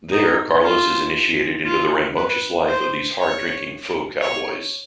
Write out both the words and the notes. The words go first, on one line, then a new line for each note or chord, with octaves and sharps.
There Carlos is initiated into the rambunctious life of these hard-drinking faux cowboys.
D#4
F4
F4
B4
C5
C#5
C#5